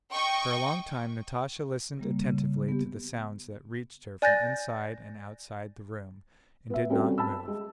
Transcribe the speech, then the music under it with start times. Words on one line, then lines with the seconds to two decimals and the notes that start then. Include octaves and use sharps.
For a long time Natasha listened attentively to the sounds that reached her from inside and outside the room and did not move.
0.14 D#5 G5 C#6
1.97 C#3 G3 A#3
2.25 C#3
2.69 B3 G4
4.22 D5 G#5 F#6 G6 A6 A#6
6.70 B3 E5
6.90 G3 C4 C#4 F#4 A4
7.18 A5 B5 E6
7.48 G#3